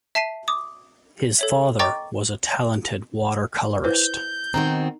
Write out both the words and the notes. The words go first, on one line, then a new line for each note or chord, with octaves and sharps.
His father was a talented water-colourist.
E5 A5 B6 C7 D#7
D6 D#6
A4 C#5 E5
D#5 G5 A#5 C#6 D6 A6
E4 B4 C5 G6
B2 D#3 C4 D#4 A#5